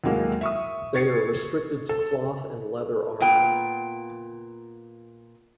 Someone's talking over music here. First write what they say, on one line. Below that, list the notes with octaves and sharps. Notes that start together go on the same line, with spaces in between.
They are restricted to cloth and leather armor.
D#2 A2 F#3 G#3 A#3
E5 C#6 D#6
C#6 G#6 A6 C7 C#7
A4
A#2 B3 G5